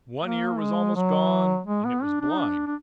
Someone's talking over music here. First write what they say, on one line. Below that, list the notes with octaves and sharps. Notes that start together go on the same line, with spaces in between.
One ear was almost gone and it was blind.
A#3
G#3
F#3
G#3
B3
D4
D4
D#4
D4
D4